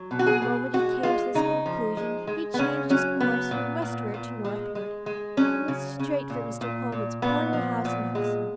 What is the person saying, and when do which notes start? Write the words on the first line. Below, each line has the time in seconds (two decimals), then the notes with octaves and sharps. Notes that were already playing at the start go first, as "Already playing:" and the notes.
The moment he came to this conclusion, he changed his course from westward to northward, and went straight for Mr. Coleman's poor little house in Hoxton.
Already playing: F#3
0.11 B2
0.19 F#4
0.27 G#4
0.42 B2
0.74 G#3 F#4
1.03 G#3 F4
1.34 C#3 D#4
1.66 F3
1.97 G#3
2.27 G#3
2.54 B3
2.59 C#3 C#4
2.90 F#3 C#4
3.20 C#3 B3
3.51 A#2
3.82 A#2
4.14 A#2
4.45 G#3
4.75 G#3
5.06 G#3
5.37 F#3 C#4
5.68 C#3
5.99 C#3
6.30 A#2
6.61 A#2
6.92 A#2
7.22 A#2 B3
7.53 F3
7.85 A#2
8.15 G#3